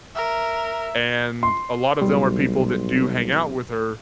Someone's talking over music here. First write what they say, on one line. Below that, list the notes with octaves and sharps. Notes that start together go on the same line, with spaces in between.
And a lot of them are people that do hang out with her.
A#4 E5
C6
B1 G3